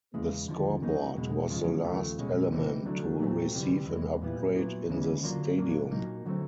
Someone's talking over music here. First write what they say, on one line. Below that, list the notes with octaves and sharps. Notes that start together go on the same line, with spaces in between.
The scoreboard was the last element to receive an upgrade in the stadium.
E2 C#3 E3 G#3
D#2 D3 F3
C#3 F#3 A#3 D#4
E2 B2 G#3
D#2 C#3 F3 G#3
D#2 C#3 F3 A3
B2 G#3 C#4
C3 E3 G3 C4 D#4
D2 D3 F#3 A3 D4
A#2 F#3 A3 C4
D2 C3 E3 G3
E2 C3 E3 G#3
A#2 G3 B3 E4
A#2 F#3 B3 E4
D2 C#3 E3 G#3 C#4
D3 F#3 A#3 D4 F4
A#2 F#3 A#3 D4
A#2 F#3 A#3 D#4
D3 F#3 A3 C4